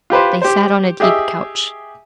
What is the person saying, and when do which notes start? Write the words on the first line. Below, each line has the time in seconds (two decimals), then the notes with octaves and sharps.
They sat on a deep couch.
0.10 F4 G4 B4 C5
0.42 G4 C5
1.00 G4 G#4 D#5 E5